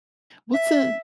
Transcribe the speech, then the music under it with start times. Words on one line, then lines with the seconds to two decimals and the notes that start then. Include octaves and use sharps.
what's a
0.54 E5